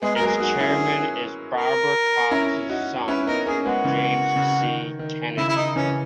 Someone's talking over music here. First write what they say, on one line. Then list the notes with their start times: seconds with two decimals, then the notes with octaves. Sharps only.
Its chairman is Barbara Cox's son, James C. Kennedy.
0.02 G#3 B3 G#4
0.15 A#4
0.21 F#3 A#3
0.27 G#4
0.40 D#4 F#4
0.59 C#4 E4
1.56 A#4
2.31 C#4 E4
2.69 D#4 F#4
3.08 C#4 E4 B4
3.27 B3 D#4 A#4
3.46 A#3 C#4 G#4
3.65 G#3 B3 F#4
3.84 C#3 E3
4.36 C#3
4.61 D#3
4.99 D#3
5.37 C#3 E4
5.48 E4
5.56 D#4
5.75 C#3 E3 C#4